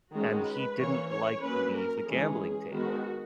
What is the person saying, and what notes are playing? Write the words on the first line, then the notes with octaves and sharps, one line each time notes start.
And he didn't like to leave the gambling table.
D#3 G#3 C#4 F#4
B4
E3 A#3 C#4 C#5
C#5
F#3 A#3 C#4 B4
A#4
E3 G#3 C#4 G#4
D#3 G#3 B3 F#4